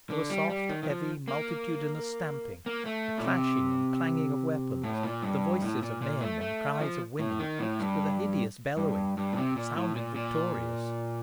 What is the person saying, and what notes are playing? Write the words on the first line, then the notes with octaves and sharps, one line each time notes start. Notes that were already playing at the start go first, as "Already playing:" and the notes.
There was soft heavy multitudinous stamping, a clashing and clanging of weapons, the voices of men and the cries of women, mixed with a hideous bellowing, which sounded victorious.
D3
G3
G3
D#3
D#3
F3
A#3
A#3
A3
A#2
C3
A2
A#2
G2
A2
A#2
A#2
A3
A3
F3
A2
D#3
A2
G2
G2
G2
A#2
C3
A#2
A2
A#2
A#2